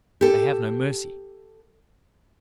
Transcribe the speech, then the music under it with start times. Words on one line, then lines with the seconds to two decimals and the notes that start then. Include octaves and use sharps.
They have no mercy.
0.21 G4 A4